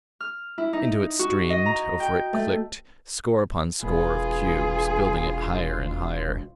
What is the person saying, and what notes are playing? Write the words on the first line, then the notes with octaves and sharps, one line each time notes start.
Into it streamed, over it clicked, score upon score of cubes, building it higher and higher.
F6
E4
D#4
F#4
D#5
A#5
G5
A3
E1 B3 F4 G#4